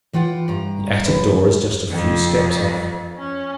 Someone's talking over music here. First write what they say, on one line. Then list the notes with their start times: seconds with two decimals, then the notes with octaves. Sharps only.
The attic door is just a few steps off.
0.13 E3 F4 F#5 G5
0.48 G2 A#5
1.06 D#2 F3 B4
1.90 F2
3.17 C#4